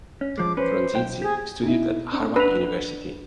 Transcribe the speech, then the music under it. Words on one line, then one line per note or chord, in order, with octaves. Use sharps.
Frondizi studied at Harvard University.
C#4
F3 G#3 D6
C#4 B4 C5
B1 G5
G4 G#4
B2 D#4 E4
C4 D4
D4 B4 F7